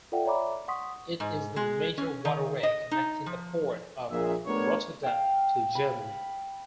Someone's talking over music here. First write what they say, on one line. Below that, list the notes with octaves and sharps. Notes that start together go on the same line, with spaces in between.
It is the major waterway connecting the port of Rotterdam to Germany.
F4 A4 D5 E5 F#5 G5
C#5 D5 E5 A#5 B5 D6
F#5 C6 C#6 D#6 B6
G#2
G#3
C#4
D#3
D#5
D#4
F3
A#1 A#2 G#4 E5
A3 B3 D4 G4 A#4 C#5
F5 G5
B5